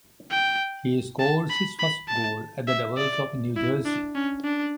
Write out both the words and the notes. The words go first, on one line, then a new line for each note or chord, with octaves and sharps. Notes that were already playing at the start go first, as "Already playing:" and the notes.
He scores his first goal at the Devils of New Jersey.
G5
A5
B5
B5
A5
E5
D5
E4
D4
C#4
D4